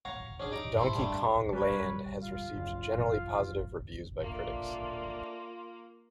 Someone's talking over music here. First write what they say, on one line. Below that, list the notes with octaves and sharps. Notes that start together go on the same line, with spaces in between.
"Donkey Kong Land" has received generally positive reviews by critics.
C#5 F5 F#5 A#5
C#4 D4 G#4 C#5
D#4 G4 D5 A#5
E4 A4 C5
G2 G3 A3 A5 C6
G3 A#4 B4 C#5
F4 F5
F#1
A3 A#3 D4 F4 D5